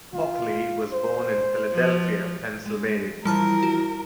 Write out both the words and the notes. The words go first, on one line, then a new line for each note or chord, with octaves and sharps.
Hockley was born in Philadelphia, Pennsylvania.
F4
C5
F3
G#3
E3 F3 G3 A#4 A5 F6
F#4